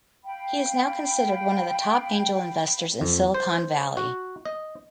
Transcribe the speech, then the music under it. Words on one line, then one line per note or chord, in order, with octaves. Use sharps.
He is now considered one of the top angel investors in Silicon Valley.
F5 G5 B5
F2
C5
F#4
D#5